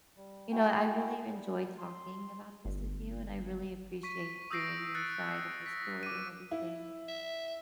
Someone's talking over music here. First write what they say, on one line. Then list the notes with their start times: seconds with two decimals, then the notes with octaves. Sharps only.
you know, I really enjoyed talking about this with you, and I really appreciate hearing your side of the story and everything.
0.17 G3
0.52 A3 E4 F#4 G5 G#5
1.29 G3
1.78 C6
2.65 G1
4.03 C#6 B6 D#7
4.51 D#6 E6 G6 A#6 C7 D7
4.95 F#6 A6 C#7 D7
5.66 A#6 B6
6.03 D6 D#7
6.51 E4
7.08 E5